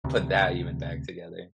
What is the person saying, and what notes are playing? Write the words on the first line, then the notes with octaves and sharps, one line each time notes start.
put that even back together.
D2 C3